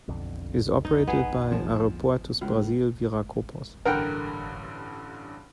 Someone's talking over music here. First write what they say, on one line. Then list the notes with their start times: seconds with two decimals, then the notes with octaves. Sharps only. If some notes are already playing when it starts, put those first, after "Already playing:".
It is operated by Aeroportos Brasil Viracopos.
0.08 B1 F2 D3
0.85 D#4
1.07 B3 G#4
1.52 F3
2.41 C#2
3.86 A1 G2 D3 A#4 F#5 G5